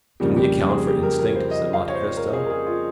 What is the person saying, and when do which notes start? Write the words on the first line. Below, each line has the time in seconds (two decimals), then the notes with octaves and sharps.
"Can we account for instinct?" said Monte Cristo.
0.20 F2 C#3 G3 A#3 G4
0.36 G4
0.69 G#4
0.86 G4
1.03 A#4
1.19 A#4
1.36 C5
1.51 D#5
1.73 F5
1.88 C#5
1.95 C5
2.17 A#4
2.33 G#4
2.46 A#4
2.50 G#4
2.66 F4